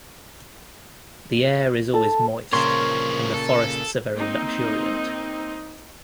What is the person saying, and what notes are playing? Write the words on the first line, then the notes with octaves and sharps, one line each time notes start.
The air is always moist, and the forests are very luxuriant.
A4
G2 A#2 C#3 F3 A#4 C#5 C6
A4
A#3 C4 D#4